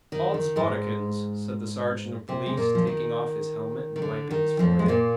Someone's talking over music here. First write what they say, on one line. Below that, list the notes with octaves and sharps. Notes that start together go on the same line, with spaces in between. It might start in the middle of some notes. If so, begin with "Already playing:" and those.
'Oddsbodikins!' said the sergeant of police, taking off his helmet and wiping his forehead.
D#3
D#3
G#2 G#3
C3 C4
G#3
A#2 A#3
F3
D#3
D#3
D3
D#3
F2 F3
G#3
A#2 A#3